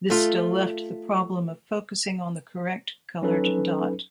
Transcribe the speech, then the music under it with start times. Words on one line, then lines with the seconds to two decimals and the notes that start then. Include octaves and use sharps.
This still left the problem of focusing on the correct colored dot.
0.10 A3 F4
3.22 F#3 C#4 D#4 A4 B4